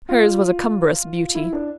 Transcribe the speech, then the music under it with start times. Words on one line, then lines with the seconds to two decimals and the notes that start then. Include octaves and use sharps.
Hers was a cumbrous beauty.
0.09 F4
1.35 E4
1.53 D4